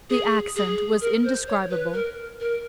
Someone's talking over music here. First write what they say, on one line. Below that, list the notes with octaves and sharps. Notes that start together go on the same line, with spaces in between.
The accent was indescribable.
G#4
G#4
A#4
C5
C#5
B4
A#4
A#4